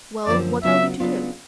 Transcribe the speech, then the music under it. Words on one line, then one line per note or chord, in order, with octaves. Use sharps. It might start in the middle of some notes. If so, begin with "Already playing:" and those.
"Well, what are we to do?"
F#2 D3 F3 A#3 D5
C#3 F#3 B3 D4 F4 E5
C#3 F#3 B3 D4 F4